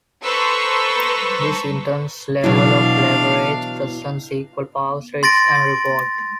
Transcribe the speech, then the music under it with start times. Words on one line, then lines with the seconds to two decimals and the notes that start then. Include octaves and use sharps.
This intense level of leverage presents equal parts risk and reward.
0.23 A4 B4 C5 A#5 C#6 E6
2.44 B2 E3 F#3 D4 E4 F4 F5
5.23 C6 A6 A#6 D7